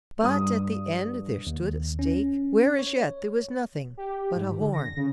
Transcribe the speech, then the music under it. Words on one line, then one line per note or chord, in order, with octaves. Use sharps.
But at the end there stood a stake where as yet there was nothing but a horn.
G2 D#6
D#2
C#4
C#5
G4
G#2
D3
A#6
C#3